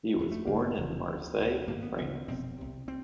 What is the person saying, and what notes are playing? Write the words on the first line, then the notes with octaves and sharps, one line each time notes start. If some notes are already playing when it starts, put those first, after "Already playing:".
He was born in Marseille, France.
G1 F2 C3
A3
F#1 F#2 C#3 A#3
F1 F2 C#3
D2 D3
D2 C3
G#1 G2 D3 A#3
B3
D2 C#3 B3
F1 E2 B2 C4
C2 C3
C4